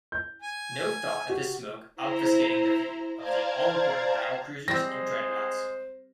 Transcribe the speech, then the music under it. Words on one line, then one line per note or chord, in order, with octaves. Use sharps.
No thought of his smoke obfuscating the view of the all-important battlecruisers and dreadnoughts.
G6
G#5
F#4 G4
E4 C5 A#5
C5 D5 F5 A5 A#5 G#6
G3 G#3 C4 C5 A#6